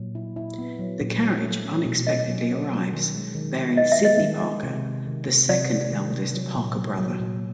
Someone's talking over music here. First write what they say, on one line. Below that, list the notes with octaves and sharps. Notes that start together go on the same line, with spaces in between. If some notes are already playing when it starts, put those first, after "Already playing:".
A carriage unexpectedly arrives bearing Sidney Parker, the second eldest Parker brother.
Already playing: A#2 F#3
E4
E4
B3
F#3
A#2
F#3
A3
C#4
B2
C#4 D#5
F#3
C#4
F#3
D#3
G#3
D#3
D#3
B3 D#5
E5
G#3
D#5
D#3
G#3
C3
C3
D#3
C3
C3 D5
G#3
D#3
C3
F#3
A#2
F#3
F#3
A#2